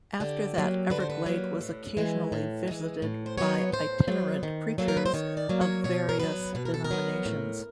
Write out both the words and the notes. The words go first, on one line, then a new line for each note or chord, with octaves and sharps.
After that Everglade was occasionally visited by itinerant preachers of various denominations.
D3 G4
F#3 A#3
D3 B4
C5
B4
F#3 A#3
A2
E3 G#3
A2
E3 G#3
A2
C5
F#3 B3 C#5
A2 C5
F#3 B3
D#3
F#3 A#3 A4
A#4
B4
C5
D#3 C#5
D5
F#3 A#3
C#5
B2 C#5
A#4
F#3 B3 B4
B2 B4
A#4
A4
A#4
F#3 B3
A2